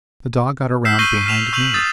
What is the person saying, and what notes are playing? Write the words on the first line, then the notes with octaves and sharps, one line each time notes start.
The dog got around behind me.
E6 F6 G6 B6 C7 E7
C#6 G6 A#6 C7 D#7 G7
F6 B6 E7 F7
C#6 E6 G6 D#7 F7 F#7
D#6 E6 G6 A6